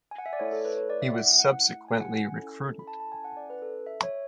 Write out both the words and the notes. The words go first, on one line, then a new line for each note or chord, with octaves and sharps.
He was subsequently recruited.
G#5
F#5
E5
D5
A3 E4 A4 C#5
A4
B4
C#5
D5
E5
F#5
F#5
F#5
G#5
F#5
G#5
C#4 E4 A4
B5
A5
A5
G#5
F#5
D5
B4
A4
E5
C#5